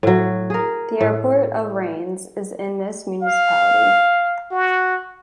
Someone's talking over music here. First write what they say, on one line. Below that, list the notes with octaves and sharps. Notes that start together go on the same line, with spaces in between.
The airport of Rennes is in this municipality.
A2 F#3
G#4 A#4
A2
F5
F#4